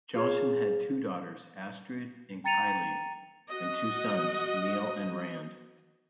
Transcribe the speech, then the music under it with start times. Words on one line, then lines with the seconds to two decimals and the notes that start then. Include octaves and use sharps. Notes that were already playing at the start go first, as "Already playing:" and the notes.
Johnson had two daughters, Astrid and Ky-Leigh, and two sons, Neil and Rand.
0.15 F4 G#4 C#5
2.44 G5 A#5 A6 C#7 D#7 F7
3.49 F#4 D#5